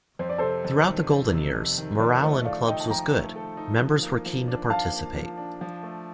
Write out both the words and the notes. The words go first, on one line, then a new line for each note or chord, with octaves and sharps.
Throughout the golden years morale in clubs was good, members were keen to participate.
F2 C5
D5
C3 A4 C5
F2
D#3
F2
C3
F2
D#3
F3 A#4 D5
A3 C5 D#5
A4 D5 F5
D#4 D#5 G5
A5
F3 G5 A#5
A3
A4
D#4
F3
A#3
F3
D4
F3 F5 A5
A#3
F3
D4
F3
A3